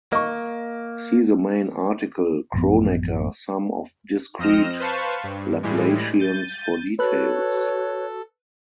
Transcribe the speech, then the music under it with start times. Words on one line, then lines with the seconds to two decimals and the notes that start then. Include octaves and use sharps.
See the main article Kronecker sum of discrete Laplacians for details.
0.13 A#3 D#5 C#6
2.54 A1 F#2 F3 B3
4.39 F2 C4 D#5 F6 A#6 E7
4.80 B4 C5 F5 A5 C#6
5.24 G2
5.63 A2 E3 G3 G#3
6.19 G6 A6 D#7
6.99 F#4 A4 B4 C#5 F#6